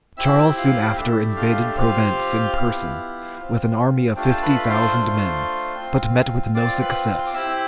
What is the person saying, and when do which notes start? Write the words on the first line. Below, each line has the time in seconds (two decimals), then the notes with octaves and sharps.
Charles soon after invaded Provence in person, with an army of fifty thousand men; but met with no success.
0.17 C4 E4 G4 E5 E6
0.57 F4 F5
0.91 F5
0.97 A3 D4 E4 G4 E5
1.37 F4 F5
1.76 C4 F4 G4 F5
2.57 B3 E4 G4
3.36 F4
3.41 C4
4.16 A3 D4 F4 G4 G5
4.30 A5
4.42 B4 B5
4.69 C5 C6
4.96 A3 D4 F4
5.74 C4
5.79 F4
6.54 C4 F4 D5 D6
6.81 B4 B5
7.18 C6
7.27 D6
7.34 C4 E4 G4 E5 E6